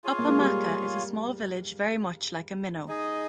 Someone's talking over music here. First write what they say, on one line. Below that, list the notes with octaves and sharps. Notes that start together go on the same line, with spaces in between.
Upamaka, is a small village very much like a Minnow.
F4 G#4 C#5 F5
A#3
G#3
G3
D#4 G#4 D#5